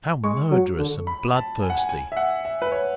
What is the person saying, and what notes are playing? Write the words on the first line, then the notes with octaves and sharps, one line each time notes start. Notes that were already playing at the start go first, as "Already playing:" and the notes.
"How murderous and bloodthirsty!"
G#3 C#6
F#3
D3
B5
A5
G#5
F#5
G#5
G#5
E5
F#5
E5
B4
C#5